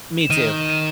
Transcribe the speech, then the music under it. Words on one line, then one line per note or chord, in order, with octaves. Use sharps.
Me too.
E7
D#3 D#7
D#7